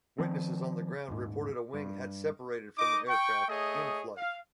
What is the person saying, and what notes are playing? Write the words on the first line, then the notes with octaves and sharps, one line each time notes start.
Witnesses on the ground reported a wing had separated from the aircraft in flight.
D#3 F3 C4
D#1 G#2
G2
D#4 D#5 D6
G5 C#6
A3 G#4 C#5 D#5
F5